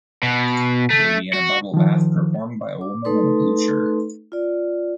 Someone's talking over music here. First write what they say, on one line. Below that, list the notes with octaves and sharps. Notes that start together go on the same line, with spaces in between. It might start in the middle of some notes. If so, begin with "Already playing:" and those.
Baby in a bubble bath, performed by a woman in a blue shirt.
B2
A3
F#4
D#3 F3
D6
A3 D#4 A4 B4 C6
F4 D5